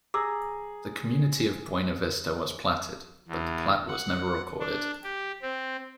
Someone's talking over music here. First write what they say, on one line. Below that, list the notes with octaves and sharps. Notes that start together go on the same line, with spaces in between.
The community of Buena Vista was platted, but the plat was never recorded.
G#4 A#5 D6 E6
E2
F#5
D4
G4
C4